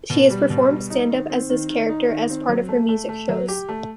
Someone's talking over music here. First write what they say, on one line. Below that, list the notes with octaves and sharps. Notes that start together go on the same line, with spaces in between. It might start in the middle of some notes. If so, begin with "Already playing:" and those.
She has performed stand-up as this character as part of her music shows.
B2
G3
B2
G3
D#4
D#3
C4
D#3
D#3
D#4
D#3
C4
F#3
A3
A3
A3
F#3
G4
A3